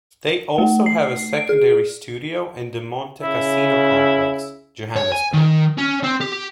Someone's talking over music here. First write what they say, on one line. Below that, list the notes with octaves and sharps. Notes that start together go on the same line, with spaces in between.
They also have a secondary studio in the Montecasino complex, Johannesburg.
A3
C7
D7
G#4
C#3 E4
C#5
G#5
D#3
C#4
C4
G4